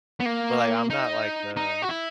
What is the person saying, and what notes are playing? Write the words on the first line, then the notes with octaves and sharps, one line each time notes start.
But, like, I'm not, like, uh
B3
A#3
D#4
D#4
F#4
E4